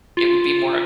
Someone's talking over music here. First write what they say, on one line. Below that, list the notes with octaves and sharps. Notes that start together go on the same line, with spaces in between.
It would be more
F4